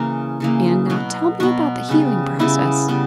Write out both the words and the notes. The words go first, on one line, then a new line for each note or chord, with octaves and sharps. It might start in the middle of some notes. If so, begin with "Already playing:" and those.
"And now tell me about the healing process."
Already playing: C#3 E3 A#3 A#4
C#3 E3 A#3
B2 F#3 B3
B2 F#3 B3 F#4
C#3 G3 B3
C#3 G3 B3 E4
C#3 G3 B3